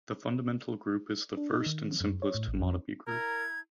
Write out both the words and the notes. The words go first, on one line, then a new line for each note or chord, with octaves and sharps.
The fundamental group is the first and simplest homotopy group.
D4
D#4
D#3
F#2
C#5
A2
A1
F2
E4 A#4 A#5 G#6